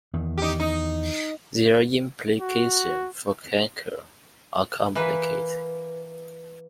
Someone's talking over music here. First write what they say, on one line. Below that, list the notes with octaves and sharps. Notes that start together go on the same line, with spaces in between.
Their implications for cancer are complicated.
E2 D#3
D#4 G4
D#4
F#4
E3 A#3 B4